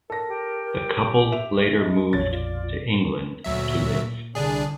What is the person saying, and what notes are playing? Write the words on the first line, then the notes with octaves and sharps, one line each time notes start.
The couple later moved to England to live.
A4 A#4 A#6
G4
E5 F7
D#5
A#1 F2 B2 C#5 A6
F4 D5
D2 A#2 F#3 E5
C2 D3 D4 G#4